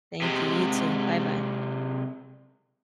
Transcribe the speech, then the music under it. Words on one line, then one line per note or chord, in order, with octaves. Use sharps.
Thank you, you too. Bye-bye.
C3 G#3